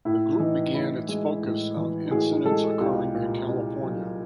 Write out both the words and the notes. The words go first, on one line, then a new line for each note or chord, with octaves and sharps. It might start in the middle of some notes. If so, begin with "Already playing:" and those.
The group began its focus on incidents occurring in California.
A2 E4
E3 D#4
A2 E4
G#3
A2
E3
A2 F#4 G#4
G#3 G4 A4
C2 F4 G4
A#2
C2
F#3